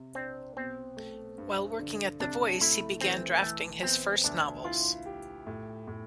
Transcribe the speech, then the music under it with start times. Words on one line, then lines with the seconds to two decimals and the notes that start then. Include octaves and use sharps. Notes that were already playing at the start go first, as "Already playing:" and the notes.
While working at the "Voice", he began drafting his first novels.
Already playing: C3
0.15 C4 D4
0.56 B2 C4
0.97 A3
1.38 G2
1.79 D3
2.20 C3 D4
2.61 A3 E4
3.01 E3 C4
3.42 E3 A3
3.83 B3 C4
4.24 D2 D4
4.64 E4 F4
5.06 G4
5.47 A2
5.88 A2